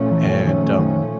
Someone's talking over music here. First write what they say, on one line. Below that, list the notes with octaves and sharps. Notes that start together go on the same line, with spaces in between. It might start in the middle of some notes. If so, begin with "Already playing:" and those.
And, um,
Already playing: A#2 F3 A3 C#4
E3
D#3
D#3
D#3